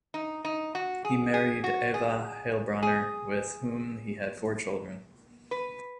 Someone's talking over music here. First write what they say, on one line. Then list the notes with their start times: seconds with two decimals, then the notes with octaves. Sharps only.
He married Eva Heilbronner with whom he had four children.
0.14 D#4
0.45 D#4
0.75 F#4
1.05 G#4
1.34 G#4
1.64 F#4
1.94 G#4
2.83 G#4
5.51 B4